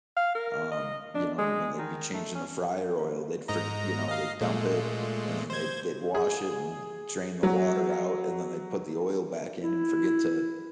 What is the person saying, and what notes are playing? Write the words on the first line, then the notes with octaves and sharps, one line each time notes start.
um, you know, when they'd be changing the fryer oil, they'd forg you know, they dump it and then they they'd wash it and drain the water out, and then they put the oil back in and forget to
F5
A#4
D#5
D4
G#3
D#3
A3
C#4
G#2 D#5 A#5
D#5 F5
A#2 G#3 A3
C5 G#6
G#4
F#3
E4